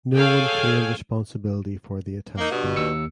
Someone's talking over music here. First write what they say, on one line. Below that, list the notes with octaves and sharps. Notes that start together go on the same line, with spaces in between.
No one claimed responsibility for the attack.
G#4 A4 C#5 F5 G5 G#5
A#3 D#4
G2 B2
G1
D#2 E6 C#7